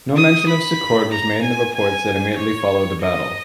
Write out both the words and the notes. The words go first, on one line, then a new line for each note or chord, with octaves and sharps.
No mention of Secord was made in reports that immediately followed the battle.
D#6
B5
A#5
G#5
G#5
C#5
D#5